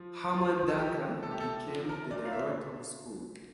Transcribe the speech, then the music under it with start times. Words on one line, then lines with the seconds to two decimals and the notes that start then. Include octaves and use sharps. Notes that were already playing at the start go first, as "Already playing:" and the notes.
Hermann Duncker became the director of school.
Already playing: F3
0.33 F3 F4
0.68 A4
0.78 F3 G4
1.23 C3 A4
1.31 G4
1.40 A4
1.67 F3
1.89 A#4
2.11 A#2 D5
2.25 F5
2.33 E5